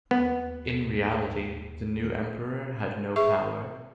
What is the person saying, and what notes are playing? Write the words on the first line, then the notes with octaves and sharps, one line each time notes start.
In reality, the new Emperor had no power.
D#2 B3
G#4 E5 C#6